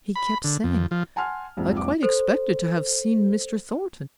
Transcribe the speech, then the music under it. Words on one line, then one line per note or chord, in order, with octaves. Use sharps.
He kept saying, 'I quite expected to have seen Mr. Thornton.
B5
D3
F2
F3
F#5 G#5 A5 C6 F6
C2 F2 G#2
F1 C2 F2 D6
A4 C5